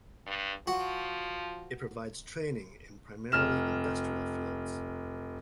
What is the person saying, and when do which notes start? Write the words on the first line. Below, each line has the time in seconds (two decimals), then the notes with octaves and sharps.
It provides training in primarily industrial fields.
0.26 G2
0.67 F3 F#4
3.32 F1 F6 E7